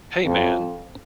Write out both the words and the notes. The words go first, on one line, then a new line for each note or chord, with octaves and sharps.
Hey man!
F2